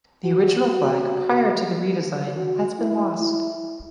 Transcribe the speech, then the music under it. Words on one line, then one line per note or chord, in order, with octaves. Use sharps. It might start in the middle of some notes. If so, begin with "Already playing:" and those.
The original flag prior to the redesign has been lost.
F#4
F#4
F#4
E4
E4